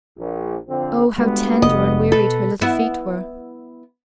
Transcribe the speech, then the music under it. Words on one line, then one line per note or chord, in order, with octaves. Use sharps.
Oh, how tender and wearied her little feet were!
A#1
F2 D3 C4
D2 G2 G#3 B3
F1 D#5
B2 A4 B4
B3 E4